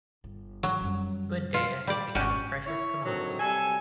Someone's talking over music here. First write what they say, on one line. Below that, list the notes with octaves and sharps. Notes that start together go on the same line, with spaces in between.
Good data has become a precious commodity.
G1
G#2 E3 F#3
F#2 G3
F4
G3 D5
G#1 C#4 F#4 G4
E4 C#5
D3 D#3 F#3 C4 D#4
C3 G3 A4 G#5